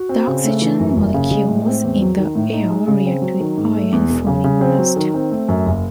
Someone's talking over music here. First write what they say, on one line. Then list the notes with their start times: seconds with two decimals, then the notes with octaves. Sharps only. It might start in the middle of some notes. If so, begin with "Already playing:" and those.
The oxygen molecules in the air react with iron, forming rust.
Already playing: F#4
0.09 C4
0.27 C#3
0.44 A3
0.61 E3
0.80 F#2
0.96 F#1
1.14 C#3
1.31 G#3
1.49 A2
1.66 C4
1.83 E2
2.01 F#3
2.18 D#3
2.35 A2
2.53 D#4
2.70 G#3
2.88 C#3
3.05 C4
3.22 F#3
3.40 D#3
3.57 G#2
3.75 A3
3.92 E2
4.09 E1
4.27 C#3
4.44 C#3
4.61 C4
4.78 F#3
4.96 D#3
5.14 C4
5.31 A3
5.49 F#2
5.66 F#1